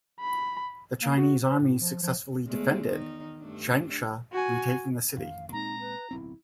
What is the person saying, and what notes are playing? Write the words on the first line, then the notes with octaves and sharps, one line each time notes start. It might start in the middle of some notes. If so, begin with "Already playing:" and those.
The Chinese armies successfully defended Changsha, retaking the city.
B5
A#3
F#4
C5
A2
F3
F3
E2 G#3 A3
D#3 D#4
G2 A3 D4
F#4 G#5
A1 F2 D#3 F5
A#2 G#3 C4 D#4 A#5
B4
D1 B1 C4 E4